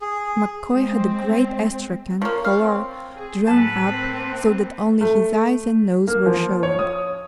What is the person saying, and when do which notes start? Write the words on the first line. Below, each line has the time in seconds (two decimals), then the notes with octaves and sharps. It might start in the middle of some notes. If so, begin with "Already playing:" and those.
MacCoy had a great astrakhan collar drawn up, so that only his eyes and nose were showing.
0.01 G#4
0.71 G#3 C4
2.22 F3 A#3 C#5
2.45 F5
2.61 C4
3.16 G#4
3.47 A2 F#3 A4 B4 A5
3.84 A#3 C4
5.01 A3
6.07 A#3
6.26 F3
6.63 C#5
6.79 D#6